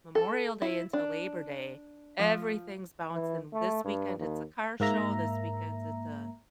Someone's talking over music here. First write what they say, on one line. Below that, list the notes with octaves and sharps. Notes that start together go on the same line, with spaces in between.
Memorial Day until Labor Day, everything's bouncing, this weekend, it's a car show, this weekend, it's a
A4
E4
D4
F3
E3
A3
G2
D#2
G#2 A#3 E5 A#5